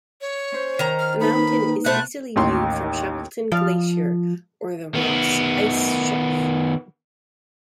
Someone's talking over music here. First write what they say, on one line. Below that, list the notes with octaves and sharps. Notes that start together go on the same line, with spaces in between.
The mountain is easily viewed from Shackleton Glacier or the Ross Ice Shelf.
C#5
C#4 C5
D#3 A#5
F6
A#3 D#4 B4 B5
B2 A3 C5 F#6
A1 D#2 C6
F3 F5
D#3 B3